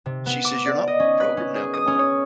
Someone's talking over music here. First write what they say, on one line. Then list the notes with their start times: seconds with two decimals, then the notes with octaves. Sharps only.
She says, "You're not programmed now, come on.
0.06 C3
0.26 B3
0.45 D6
0.65 D5
0.87 D#5
1.00 C#4
1.20 B4
1.37 C#4
1.55 G#4
1.74 D#6
1.87 C#4
1.99 C#5